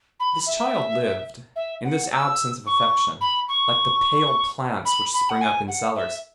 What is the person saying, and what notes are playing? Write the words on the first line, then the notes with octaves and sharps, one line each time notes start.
This child lived, in this absence of affection, like the pale plants which spring up in cellars.
B5
E5
E5
F#5
E6
C#6
B5
C#6
B5
B5
F#5
G#5
F#5
E5